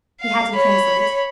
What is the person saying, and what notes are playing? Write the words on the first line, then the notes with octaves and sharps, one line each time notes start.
He had to translate.
F5
C#5 B5